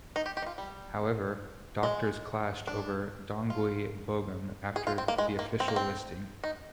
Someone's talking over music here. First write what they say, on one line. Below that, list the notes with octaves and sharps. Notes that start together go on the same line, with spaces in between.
However, doctors clashed over "Dongui Bogam" after the official listing.
D#4
G4
G4
D#4
F4
G3
G#3
D4
F4
G#4
F4
C4
A#3
G#3
A#3
C4
A#3
C4
D#4